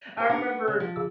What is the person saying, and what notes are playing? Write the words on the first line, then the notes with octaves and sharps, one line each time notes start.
I remember
G4 C5
B3 D4 D#4 G4 A#4 F#5
C#3
F3
C#3 D6 E6